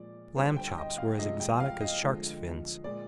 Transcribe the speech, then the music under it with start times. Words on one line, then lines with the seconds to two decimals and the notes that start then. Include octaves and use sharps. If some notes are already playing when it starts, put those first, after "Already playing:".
Lamb chops were as exotic as sharks' fins.
Already playing: A#2 F3 G#3 D5
0.37 D3 G3 C5
0.56 G5
0.78 D#5
0.98 F5
1.19 C3 F3 G#3 D#5
1.40 G5
1.60 F5
1.81 D#5
2.02 D3 F3 G#3
2.84 A#2 G#3 D5